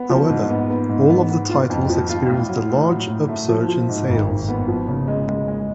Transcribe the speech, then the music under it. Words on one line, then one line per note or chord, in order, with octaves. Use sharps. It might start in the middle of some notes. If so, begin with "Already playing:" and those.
However, all of the titles experienced a large upsurge in sales.
Already playing: B3
F3
G#2
B3
B3
G#2
B3
B3
F4
F2
F3
F4
A2
F#3
A2
F#3
A2
A3
F3
F3
G#2
G#1
G#1
B3
F3
C#3
G#3
G#3
G#3